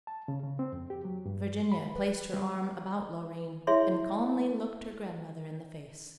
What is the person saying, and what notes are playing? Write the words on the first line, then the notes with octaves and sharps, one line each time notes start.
Virginia placed her arm about Loreen and calmly looked her grandmother in the face.
A5
C#3
C#3
C4
F2
G4
F#3
G2
B5
B4
G3
E4 G#4 C#5 E5 C6